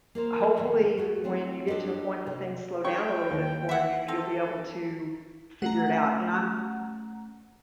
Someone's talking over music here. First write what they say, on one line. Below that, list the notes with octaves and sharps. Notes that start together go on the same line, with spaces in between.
hopefully when you get to a point that things slow down a little bit for you, you'll be able to figure it out, and I'm
A#3 A#4 C5
D#2 A2 F3 C#5
A3 F#4 G#4
A3 C4 E4
D4 G4 A4 C5 D#5
C3
C#5 G5 C#6
D#2
E5 F#5
C4 A4
A3 C#4 F#5 A#5